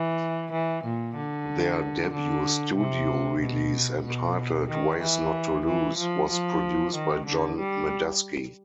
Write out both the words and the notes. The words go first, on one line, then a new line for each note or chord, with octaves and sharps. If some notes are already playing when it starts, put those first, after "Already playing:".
Their debut studio release, entitled "Ways Not to Lose", was produced by John Medeski.
Already playing: E3
E3
A#2
D3
D3
C3
B2
B2
D#3
E3
E3
F3
F3
D#3
D3
G3